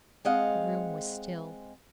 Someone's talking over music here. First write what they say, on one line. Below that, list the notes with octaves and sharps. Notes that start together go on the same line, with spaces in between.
The room was still.
G#3 C4 D#5 F5 F#5